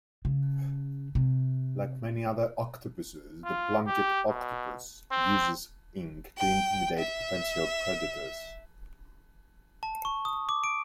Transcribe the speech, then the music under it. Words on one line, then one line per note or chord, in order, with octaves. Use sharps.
Like many other octopuses, the blanket octopus uses ink to intimidate potential predators.
C#3
C3
F4
G4
B2
C4
G5
E5
A5
C#6
D#6
D6
D7